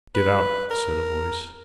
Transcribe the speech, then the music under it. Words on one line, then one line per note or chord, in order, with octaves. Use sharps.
"Get out," said a voice.
B4
A#4